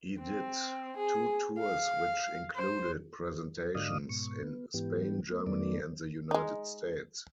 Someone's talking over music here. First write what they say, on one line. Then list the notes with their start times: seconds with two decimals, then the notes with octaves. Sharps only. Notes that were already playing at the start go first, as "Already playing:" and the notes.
He did two tours which included presentations in Spain, Germany, and the United States.
0.21 C4
0.97 G#4
1.59 F5
2.56 C5
3.75 G#2 D3 D5 D#5 F5 D#6
4.09 G#2 B2 C#6
4.43 B3
4.74 G#2 E3 B3 G4
5.31 A3 B3
5.47 F2 D#3 A3 B3 D5
6.31 G#3 D#4